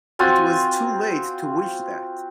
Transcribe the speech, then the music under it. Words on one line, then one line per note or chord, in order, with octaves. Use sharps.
It was too late to wish that!
C4 F4 F#4 G#5